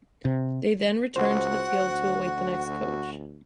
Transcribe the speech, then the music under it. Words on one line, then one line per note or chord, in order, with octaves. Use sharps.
They then returned to the field to await the next coach.
C3
C#2 F#4 C5 F#5
D2